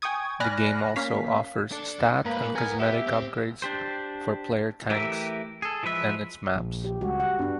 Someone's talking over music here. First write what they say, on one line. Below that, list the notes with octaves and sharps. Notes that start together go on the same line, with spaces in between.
The game also offers stat and cosmetic upgrades for player tanks and its maps.
G5 G#5 C#6 D#6 G#6
D5 G#5 B5 F6 F#6 A#6
A#3 C#4 F5 B6
D4 A4 D5
G#2 A#3 B4
B3 A#4 G#5
G4 E5
C4
D4 G4 C5
E3 A3 G4 A#4 E5
G#4 A4
E3 F3 G#3 B4 E5
A#1
G4
C#2 G3 F#4
F#5
G2 B3 D4